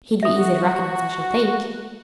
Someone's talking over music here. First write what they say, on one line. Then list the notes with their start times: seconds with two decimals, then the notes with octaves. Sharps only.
He'd be easy to recognise, I should think.'
0.23 F#4 A4 E5